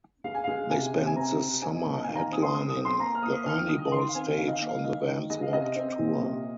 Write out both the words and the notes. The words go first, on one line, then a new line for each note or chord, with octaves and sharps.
They spent the summer headlining the Ernie Ball stage on the Vans Warped Tour.
G#3 F5
G#5
G#3 F5
C3 G#5
C3
G#5
C4 A#5
C3
C4 G#5
D#5
A#2
D#5
G#5
D#3 F5
A#5
G#5
C4 D#6
C6
C4 D#6
D#6
C4
C6
A#3 A#5
F6
A#3 D#6
D#3 F6
D#3 D#6
D#3 C6
F5
C4 G#5
D#3 F5
D#5
F5
A#3
F5
D#3 D#5
D#3
G#3 D#5
F5
C3 D#5
C4
A#2
C3